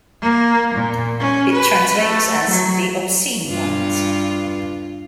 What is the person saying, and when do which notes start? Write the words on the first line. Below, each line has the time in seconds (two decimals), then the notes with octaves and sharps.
It translates as 'The Obscene Ones'.
0.22 A#3
0.74 A#2
1.20 C#4
1.52 B4
2.00 A3
2.50 F#3
3.48 G2 F4